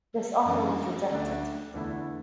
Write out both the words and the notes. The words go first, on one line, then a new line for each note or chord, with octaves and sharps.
This offer was rejected.
F#2 E3 A3 D4
D2 D3 A3 D4
E2 D3 A3 E4